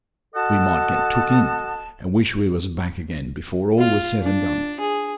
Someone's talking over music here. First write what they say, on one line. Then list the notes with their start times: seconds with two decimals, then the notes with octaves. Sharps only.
We might get took in, and wish we was back again before all was said and done.
0.35 F#4 A4 D#5 F#5 A5
3.79 F4
4.22 D4
4.80 G#4